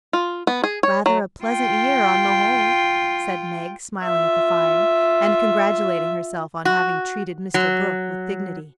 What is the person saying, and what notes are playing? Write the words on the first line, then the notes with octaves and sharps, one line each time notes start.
"Rather a pleasant year on the whole!" said Meg, smiling at the fire, and congratulating herself on having treated Mr. Brooke with dignity.
F4
B3
G#4
C#5
F#3
F4 G5
F4 E5
F#4
F#3